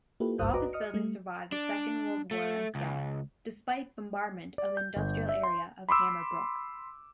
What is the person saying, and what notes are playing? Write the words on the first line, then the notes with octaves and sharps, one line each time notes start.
The office building survived the Second World War unscathed, despite bombardment of the industrial area of Hammerbrook.
A#3 E4 F4 G4 A4 B4
G#1 C#2 G2 C5 D#6 F#6
F#4 B4 D5 D#5 A#5 D6
D#5 D#6 F6 C#7
G3 A3
D4
A3
C#2
D5
G6
G1
E5
C6
B5 C6 D6 E6